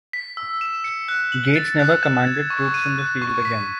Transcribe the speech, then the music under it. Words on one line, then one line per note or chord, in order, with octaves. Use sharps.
Gates never commanded troops in the field again.
B6
E6
E7
C#7
F#6
F#7
A6
F#6
E7
G#6
C#6
D#7
F#6
C#6
B6